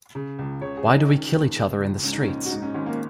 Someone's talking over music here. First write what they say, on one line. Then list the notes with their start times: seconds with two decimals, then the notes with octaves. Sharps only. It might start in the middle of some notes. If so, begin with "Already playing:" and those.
Why do we kill each other in the streets?
0.15 C#3
0.39 C#2
0.61 C#3 C#5
0.77 G#4
0.85 C#2
0.93 D#4
1.09 D#3 C#4
1.33 D#2
1.56 C#3
1.80 C#2
2.03 G#2 C#4
2.13 D#4
2.23 A#1 C#4
2.45 F#4
2.50 G#2 D#4
2.62 C#4
2.74 G#1 C#4
2.86 A#3